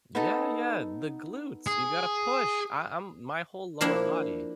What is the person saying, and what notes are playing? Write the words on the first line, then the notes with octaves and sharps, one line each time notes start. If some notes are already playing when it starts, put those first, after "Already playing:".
Yeah, yeah, the glutes. You gotta push. I I'm my whole lower body.
B3 D#4 A4
G#4
F3 A#3 D4 E4